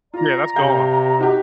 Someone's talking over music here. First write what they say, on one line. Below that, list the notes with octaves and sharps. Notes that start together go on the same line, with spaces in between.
Yeah, that's gone.
F4 D5 A#5
C3 F5 G5 G6
D#4 F#4 G4